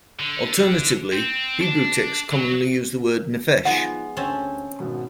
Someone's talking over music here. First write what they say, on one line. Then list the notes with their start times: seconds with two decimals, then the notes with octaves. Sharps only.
Alternatively, Hebrew texts commonly use the word "nephesh".
0.20 D3
1.13 C4
1.62 D4
2.32 F#3
3.65 F3 G#3 B3 D#4 F#5
4.17 D2 C4 C#4 A4
4.80 G#1 B2